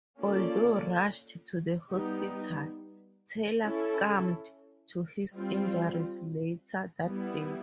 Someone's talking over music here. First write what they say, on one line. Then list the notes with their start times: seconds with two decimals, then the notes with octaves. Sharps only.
Although rushed to the hospital, Taylor succumbed to his injuries later that day.
0.18 A#3 C#4 F4 A4 D5
1.91 G3 B3 D#4 G4
3.62 C#4 E4 A4
5.34 G3 C4 F4
7.06 G3 B3 E4